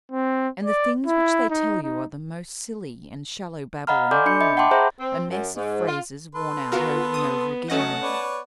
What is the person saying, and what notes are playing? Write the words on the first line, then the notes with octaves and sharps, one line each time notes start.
And the things which they tell you are the most silly and shallow babble in the world; a mess of phrases worn out over and over again.
C4
D5
E4
D#4
D#4
D#5 F5 F#5 A#5 B5 F6
A4 D5 G#5 C6 D6 G6
D4 B5 G6 C#7
D#5 E5 B5 C#7
F#5 G5 A5 C6 D6
G#4 C5 E5 A#5 B5 G6
C4
F#2
G#2
F4
A4 B4 C6
B3 F4 F#4 A#4
D#6
F#3 A3 C#4 D#5 F#5 A5
B4 C#5 D5